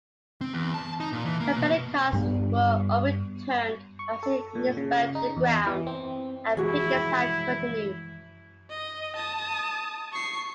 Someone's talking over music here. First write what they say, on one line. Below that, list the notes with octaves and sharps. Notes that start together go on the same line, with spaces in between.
Company cars were overturned, housing units burned to the ground, and pickets have continued.
C4
E2
A5
D#4
A#2
E3
A#3
B2
G2 G3 B3
C#6
A4
A#2
C#3
D#4
E2
E3
C4
E3 F3 G#3 E4 F#4 G#4
D#5
A5 D#6
C#6 C7